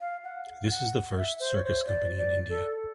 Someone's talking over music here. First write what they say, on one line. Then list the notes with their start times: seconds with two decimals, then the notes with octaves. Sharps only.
This is the first circus company in India.
0.01 F5
0.24 F#5
0.71 F#5
1.17 E5
1.40 C5
1.55 C#5
1.64 C5
1.86 D5
2.18 D5
2.49 A4